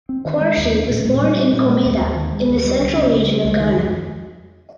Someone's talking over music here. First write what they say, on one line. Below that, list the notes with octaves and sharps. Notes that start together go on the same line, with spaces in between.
Quarshie was born in Komeda in the Central Region of Ghana.
C4
D#3
G#3
D#2
C#4
A#2
A#2
G3
C#4
A#2
G#3
D#2
D#2
D#3
G#3
D#2
G3
C#2
C#4
C#3
G3
C#2
D#3
F2